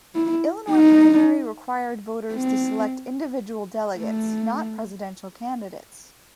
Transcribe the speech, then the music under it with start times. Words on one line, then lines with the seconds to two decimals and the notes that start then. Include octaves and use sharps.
The Illinois primary required voters to select individual delegates, not presidential candidates.
0.15 E4
0.71 D#4
2.34 C4
3.98 A3